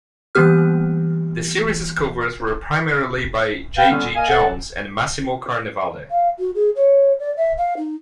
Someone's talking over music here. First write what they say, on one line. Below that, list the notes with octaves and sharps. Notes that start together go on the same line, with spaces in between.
The series's covers were primarily by J. G. Jones and Massimo Carnevale.
E3 G3 A#3 B3 G4 F6
B4 F5 G5
D3 G3 B3 C#4
A#3 A#4 D#5 F5 G#5
A4 F#5
F5
F#4
G#4
C#5
D5
E5
F5
D#4